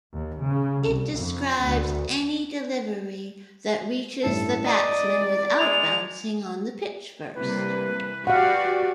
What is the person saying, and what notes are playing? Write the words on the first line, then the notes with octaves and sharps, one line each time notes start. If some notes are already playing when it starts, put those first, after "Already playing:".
It describes any delivery that reaches the batsman without bouncing on the pitch first.
D#2
C#3
C2
F2
D2
A1 G2 E4 A4
D5 D#5 A#5
G#3 F7
C3 E3 G3 A#3 B4
F#4 G4 D5 F5 F#5